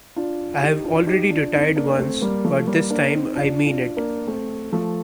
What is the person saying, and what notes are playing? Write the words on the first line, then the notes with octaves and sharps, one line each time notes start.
I have already retired once but this time I mean it.
D4 F4
D#4 G4
D4 F4
F4
D#4 G4
D4 F4
C4 D#4
A#3 D4
A3 C4
G3 A#3
F3 A3
G3 A#3
A#3 D4
C4 D#4
D4 F4
D4 F4
A#3 D4
A3 C4
F3 A3